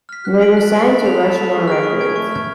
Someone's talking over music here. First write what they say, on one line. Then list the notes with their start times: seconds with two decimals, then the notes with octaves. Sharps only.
They were signed to Rushmore Records.
0.09 F6 B6
0.25 F#4 F#6
0.41 B6 D7 F#7
0.57 A4 F#6
0.72 B6 D7 F#7
0.89 B5
1.04 F#6 B6 F7
1.20 A4 B5
1.36 F#6 B6 F7
1.52 G#4 C#6
1.68 F6 G#6 D7
1.83 C#6
1.99 F6 G#6 D7
2.15 A3 C#6
2.31 F6 G#6